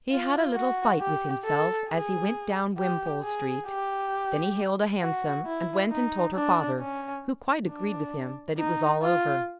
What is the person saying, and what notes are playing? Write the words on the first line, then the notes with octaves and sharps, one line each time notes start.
He had a little fight with himself as he went down Wimpole Street; then he hailed a hansom, and went and told her father, who quite agreed with him that it was all over.
F4
F#4
G4
A4
G#4
G4
G#4
G4
F#4
E4
D#4
D4
C#4
D4
D#4
F4